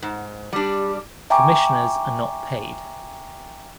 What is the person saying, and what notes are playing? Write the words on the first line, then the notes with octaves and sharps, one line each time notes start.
Commissioners are not paid.
G#2
G3 D4 G4
E5 G5 G#5 A#5 C#6 D6